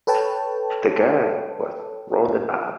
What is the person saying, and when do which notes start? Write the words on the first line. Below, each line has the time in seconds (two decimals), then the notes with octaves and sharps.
The gang was rounded up.
0.07 A4 B4 C#5 G5 A5